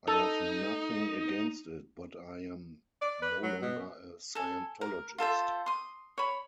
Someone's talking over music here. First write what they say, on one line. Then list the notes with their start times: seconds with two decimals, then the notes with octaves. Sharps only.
I have nothing against it, but I am no longer a Scientologist.
0.08 D#4 A4
3.02 D5
3.22 B4
3.43 F#3
3.62 B2
4.35 A4 G#5
4.81 A#4
5.18 F4 A4 C5 E5
5.66 C6 D#6
6.18 C#5 B5